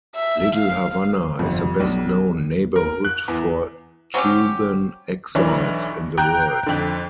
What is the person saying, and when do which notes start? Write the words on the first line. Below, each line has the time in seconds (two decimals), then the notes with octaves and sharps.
Little Havana is the best known neighborhood for Cuban exiles in the world.
0.16 E5
0.56 F5
1.39 G1 F2 C3
1.80 B1 G3
2.76 A#4
3.05 F#6
3.28 E2
4.14 F#3 C4 C#4 G4
5.35 B1 E3 D4 C#5
6.18 G5 A#5 F#6 G6
6.66 F2 D3